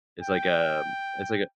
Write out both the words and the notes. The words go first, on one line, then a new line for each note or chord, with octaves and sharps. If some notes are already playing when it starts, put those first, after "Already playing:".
it's like a it's like a
G5